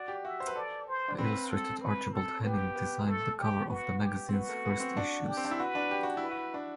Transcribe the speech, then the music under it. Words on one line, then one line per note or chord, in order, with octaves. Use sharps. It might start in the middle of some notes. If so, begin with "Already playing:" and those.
The illustrator Archibald Henning designed the cover of the magazine's first issues.
Already playing: F#4 D5
G4
F#4 E5
C5
B4
A4 D5
C5
D4
C4 B4
A4
B4
A4
B3 G4
B3
A3 A4
G4
B3 F#4
G4
C4
B3 F#4
A3
B3
C4
D4
G4
C4
D4
E4
F#4 B4
D4
G4
F#4
E4
B4
F#4
D4